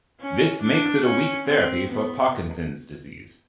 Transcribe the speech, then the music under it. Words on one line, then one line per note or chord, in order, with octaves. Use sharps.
This makes it a weak therapy for Parkinson's disease.
C#4
D4
C#4
C4
B3